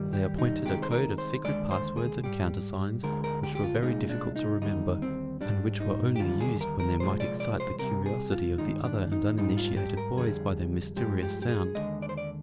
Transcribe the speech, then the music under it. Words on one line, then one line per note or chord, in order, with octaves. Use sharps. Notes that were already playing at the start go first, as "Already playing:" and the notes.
They appointed a code of secret passwords and countersigns which were very difficult to remember, and which were only used when they might excite the curiosity of the other and uninitiated boys by their mysterious sound.
Already playing: G2 D#3 G3
G4
D#4
C2 C3 D#3 G#3 G4
C5
A#4
C5
D#2 D3 G#3 D5
C5
G#4
G#2 G3 G4
D2 D3 G#3 A#4
A#4
G4
G4
F4
C2 A#2 G#3 D#4
D4
D#4
D#2 D3 G3 D#4
C4
G#2 G3 D4
D#4
G4
D#2 D3 G3 F4
G#4
A#4
A#4
C2 A#2 F3 G#3 C5
D5
D5
C5
C2 C3 G3 A#4
G#4
F4
G2 D#3 G#3 D#4
D4
D#4
G#2 G3 D#4
F4
G4
A#4
F2 D3 G3 G#4
G2 F3 G#3 G4
G4
G4
G#4
D#2 D3 G#3 D#5
D5
C5
D5